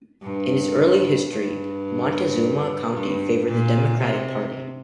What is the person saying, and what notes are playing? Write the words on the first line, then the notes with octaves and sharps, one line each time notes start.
In its early history Montezuma County favoured the Democratic Party.
G2
G2
G2
A#2
C3